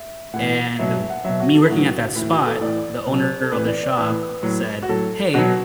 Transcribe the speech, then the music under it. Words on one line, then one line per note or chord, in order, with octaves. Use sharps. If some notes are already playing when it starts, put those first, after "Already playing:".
and wh me working at that spot, the owner of the shop said, "Hey,
Already playing: E5
A2 E3 F#5
B2 F#3 E5
E5
F#5
B2 F#3 E5
F#4
A4
E4
A2 F#3 F#4
A2 E3 E4
F#4
B4
A4
A2 E3 D5
B2 F#3
A4
A2 E3 B4
D5
D5
A2 E3 B4
A2 F#3
F#4
A2 F#3 A4
B2 F#3 F#4